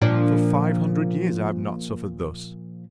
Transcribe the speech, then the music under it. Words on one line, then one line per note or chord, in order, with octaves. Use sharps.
For five hundred years I have not suffered thus.
A#2 F3 D4